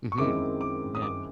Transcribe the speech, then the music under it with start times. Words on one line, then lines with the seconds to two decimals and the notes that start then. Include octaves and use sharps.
Mhm, yeah.
0.12 C#6
0.18 F#2 D#3 G#3 C4 E4 D6
0.61 D6
0.95 D#6
1.02 D6